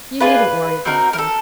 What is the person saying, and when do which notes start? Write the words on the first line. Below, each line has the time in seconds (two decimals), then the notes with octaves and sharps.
You needn't worry about her.'
0.20 D4 F4 G#4 B4
0.85 C4 D#4 F#4 A#4
1.13 A#4
1.18 A4